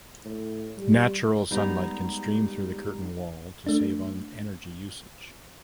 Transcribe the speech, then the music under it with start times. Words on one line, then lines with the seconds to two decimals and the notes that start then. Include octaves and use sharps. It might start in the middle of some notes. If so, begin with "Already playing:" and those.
Natural sunlight can stream through the curtain wall to save on energy usage.
0.25 A2
0.78 G3
1.51 G3 G#3 B3 D#4 G4
3.66 A3 D4